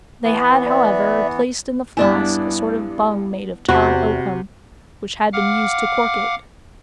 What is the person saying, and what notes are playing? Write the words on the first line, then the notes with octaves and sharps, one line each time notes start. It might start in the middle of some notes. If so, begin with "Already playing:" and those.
They had, however, replaced in the flask a sort of bung made of tarred oakum, which had been used to cork it.
E3 B3
D5 E5
G2 B3 D4 E4 D5 G#5
E2 C3 F#4 B5
F5 F#5 D6 F6